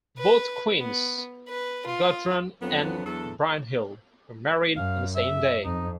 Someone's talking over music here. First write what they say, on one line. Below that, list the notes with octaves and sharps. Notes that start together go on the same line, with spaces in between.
Both queens, Gudrun and Brynhild, were married on the same day.
B4
B3
B4
F4
F2 F#3 B3 D4
E2 A4
F#2 F5
E5
F2 D#4